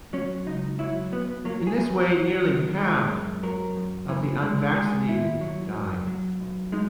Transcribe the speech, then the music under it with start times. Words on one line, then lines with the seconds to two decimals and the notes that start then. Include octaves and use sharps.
In this way nearly half..of the unvaccinated die.
0.13 F#3 C#4
0.47 C#2 D#4
0.79 F#3 E4
1.12 B1 B3
1.45 F#3 A#3
1.67 G#4
1.78 E2
2.11 F#3
2.45 D#2
2.77 G#3
3.11 F#2
3.43 F#3 A#4
3.77 F#2
4.09 E3
4.42 G#3
4.75 G#3 G#4
5.08 D#2 E4
5.41 F#3
5.74 F#2
6.07 F#3
6.40 B1
6.72 G#3 D#4